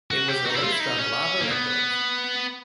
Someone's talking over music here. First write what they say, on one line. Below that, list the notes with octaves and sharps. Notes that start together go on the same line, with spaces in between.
It was released on Lava Records.
F#4
G4
F#4
D#4
E4
F4
E4
D#4
C#4
A#3
B3